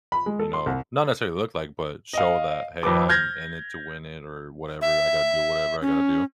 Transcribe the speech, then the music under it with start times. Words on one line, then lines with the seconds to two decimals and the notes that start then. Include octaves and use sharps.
you know? Not necessarily look like, but show that, "Hey, I'm in it to win it or whatever. I gotta do whatever I gotta do."
0.12 B5
0.26 G#3
0.39 A4
0.54 C6
0.66 C2
2.13 D#5 F5
2.83 F2 B4 D6
3.09 F6 G6 G#6 A#6
4.81 E5
5.82 C#4